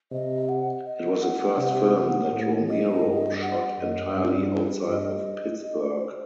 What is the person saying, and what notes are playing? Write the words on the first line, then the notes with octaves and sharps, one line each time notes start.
It was the first film that Romero shot entirely outside of Pittsburgh.
C3 D#5
F#5
D#5
F#5
C3
A2
D#5
G2
F#5
F#2 D#5
G2
G2 D#5
D#5
D5
C5